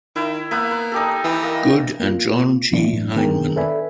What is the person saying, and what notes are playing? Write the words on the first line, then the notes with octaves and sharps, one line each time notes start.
Good and John G. Heimann.
D#3 E4
A#3 B3 E5
B4
D#4 G4 A4
E3
A#4 D#5 F5
A#3 F4
E3 F#3 A3 B3 D4 E4
A2
D#3 B3 D4 G#4 A#4 G5
A4 B4 D5 E5 G#5 B5